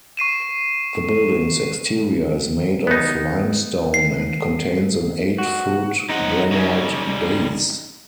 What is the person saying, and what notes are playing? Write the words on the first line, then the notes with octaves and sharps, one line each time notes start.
The building's exterior is made of limestone and contains an eight-foot granite base.
C#6 C7 D#7 E7
B3 D#4
C7
F#4
F#2 C4 D#4 F#5
C#3 G3